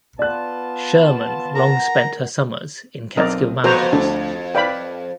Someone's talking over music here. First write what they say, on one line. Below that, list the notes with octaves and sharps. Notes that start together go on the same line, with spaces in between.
Sherman long spent her summers in Catskill Mountains.
B3 F4 D5 A5 F#6
A#4 F#5 A#5
B1 C4 A#4 D5 D#5
F2 B3 F#4 C5 A#5
D2 D4 A4
B4 D5 F5 G5 B5